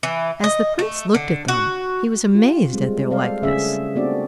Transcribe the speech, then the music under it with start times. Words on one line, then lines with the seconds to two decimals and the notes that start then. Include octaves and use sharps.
As the prince looked at them, he was amazed at their likeness.
0.03 E3
0.44 D#5
0.79 A3
1.14 D3
1.48 F#4
2.35 F4 G4
2.73 G3 G#3 C4
3.10 G3 A4 C5 D5 F5
3.42 C#3 A3 C#4 G#4 E5
3.95 A3 B3 C4 D4 F#4 D5